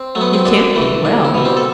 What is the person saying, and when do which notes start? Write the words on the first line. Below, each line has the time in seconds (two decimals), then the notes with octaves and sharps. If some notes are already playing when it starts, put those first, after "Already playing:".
'You can't be well.
Already playing: C4
0.15 F#3 A3
0.21 B3
0.33 C4
0.45 F#2 D4
0.75 E3 A3
1.05 C2 D4
1.24 E4
1.34 B2 G3
1.45 C4
1.57 A4